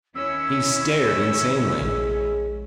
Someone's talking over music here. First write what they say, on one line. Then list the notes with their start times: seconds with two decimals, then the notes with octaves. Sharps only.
He stared insanely.
0.15 D#2 C#4 E4 E6
1.81 A#1 G#3